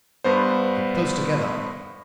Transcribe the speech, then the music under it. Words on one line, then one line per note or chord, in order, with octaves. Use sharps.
Keep close together.'
G2 B3 C5